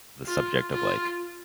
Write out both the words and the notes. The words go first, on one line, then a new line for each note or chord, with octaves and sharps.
the subject of, like,
F4
F4